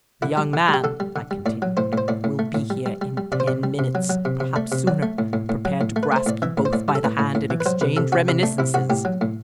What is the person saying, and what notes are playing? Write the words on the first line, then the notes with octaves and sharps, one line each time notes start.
"The young man," I continued, "will be here in ten minutes--perhaps sooner--prepared to grasp you both by the hand and exchange reminiscences."
D3 E4
G3
D3
G3
G4
D3 A4
G3
D3
G3
A2 D5
F#3
A2 C5
A2 C5
A2 D5
A2
A3
A2
G3
G3
G3
G3
C3 D5
C5
C3 D5
G3
C3
F#3
F#3
C3
C3
A3 D5
C3
F#3 D5
A3
A2
A2
A2
F#3
A2
A3
B4
A3 C5
A2 D5
E3 E5
A2
C5
A2 D5
G3
A4
A2 B4
A2
A2
E3
B4
F#3 C5
C3 B4
C3 A4
C3 F#4
C3 E4
A3 D4
C3 E4
C3 F#4
A2 G4
F#3
A2